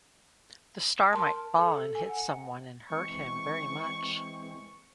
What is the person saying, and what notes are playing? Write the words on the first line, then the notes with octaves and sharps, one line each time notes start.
The star might fall and hit someone and hurt him very much.
A#4 A5 C6
A4
G#5
F#5
E3 G#3 C4 C#6